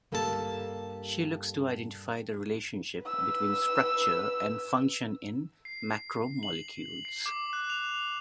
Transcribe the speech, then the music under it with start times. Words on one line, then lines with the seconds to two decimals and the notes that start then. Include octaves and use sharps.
She looks to identify the relationship between structure and function in macromolecules.
0.12 G2 A#3 G4 A4 A#4 A5
3.04 B4 E6
5.65 C7
6.43 F#7
7.05 C7
7.26 D6
7.53 F#6
7.70 F7